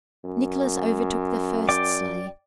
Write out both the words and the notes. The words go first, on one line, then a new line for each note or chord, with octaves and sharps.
Nicholas overtook the first sleigh.
F#2
D5 G5 D6